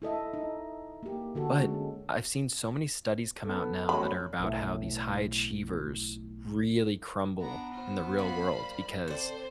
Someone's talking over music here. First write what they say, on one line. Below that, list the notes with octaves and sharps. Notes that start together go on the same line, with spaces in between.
But I've seen so many studies come out now that are about how these high achievers really crumble in the real world because
E4 A4 D#5 E5
D#4
A#3 G4
D3 F#4 A4
G#3 C#4
B3 A4
F#3 A3 C#4 B5
B1 A2
B3 D4 A#5
F4 C5
A#3 B5
G3
C4 A4 C5 D5